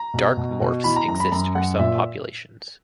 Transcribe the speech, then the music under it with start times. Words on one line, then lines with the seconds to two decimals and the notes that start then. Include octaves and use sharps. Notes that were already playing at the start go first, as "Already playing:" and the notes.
Dark morphs exist for some populations.
Already playing: A#5
0.14 B2
0.37 B2
0.61 B2
0.84 E3 B5
0.96 A#5
1.08 F#2 A#5
1.20 B5
1.32 F#2 A#5
1.55 F#2 F#5
1.79 A#2 E5